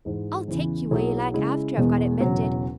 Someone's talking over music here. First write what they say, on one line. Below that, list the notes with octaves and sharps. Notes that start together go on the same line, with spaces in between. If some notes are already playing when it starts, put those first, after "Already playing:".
I'll take you where you like after I've got it mended.
G#2 E3 G#3
E2 C#3 E3
B1 B2 F#3 E4 G#4
C#3 G#3 E4
E1 E2 B2 G#3 B3
E1 E2 C#3 F#3